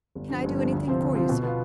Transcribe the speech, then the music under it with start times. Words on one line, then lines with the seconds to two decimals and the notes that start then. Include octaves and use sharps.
"Can I do anything for you, sir?"
0.15 G1
0.30 G2 F3
0.44 G1
0.58 G2 F3
0.72 D2
0.87 C3 F3 C4 F4
1.00 D2
1.15 C3 F3 C4 F4
1.29 B2
1.43 B3 F4